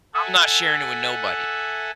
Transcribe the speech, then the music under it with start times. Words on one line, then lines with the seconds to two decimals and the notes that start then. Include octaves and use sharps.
I'm not sharing it with nobody.
0.14 A4 E5 F#5 G#5